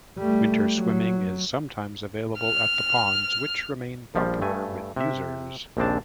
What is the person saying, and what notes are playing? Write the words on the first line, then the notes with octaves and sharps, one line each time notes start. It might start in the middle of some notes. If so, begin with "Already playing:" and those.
Winter swimming is sometimes available at the ponds, which remain popular with users.
G3 A3
F#3
F6
A#1 F3 G3
G2 A3 G#5
C3 E5
A#1 D#2 C#3 C4 D4 A5